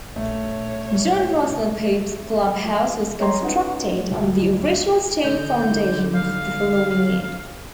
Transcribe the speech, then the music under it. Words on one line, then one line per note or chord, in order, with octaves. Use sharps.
John Russell Pope's clubhouse was constructed on the original stone foundations the following year.
A#1 A3 C#5
C3
F3
C#5 D#5 G5 A#5 C6
C#4 D#4 F4 B4 D#5 F#5
D2
D3 D#4 G6
F5